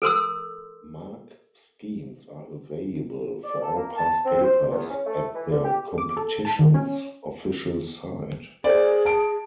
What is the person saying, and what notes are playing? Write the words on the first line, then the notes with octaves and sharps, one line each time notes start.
Mark schemes are available for all past papers at the competition's official site.
A4 A#4 C6 E6
D5
A4
A#3
A5
C4
C5
E2
C#4
A3
E3
D3
G4
D6
A4
A5
D#3
C#4
G#4 A#4 C5 D5
A5 D7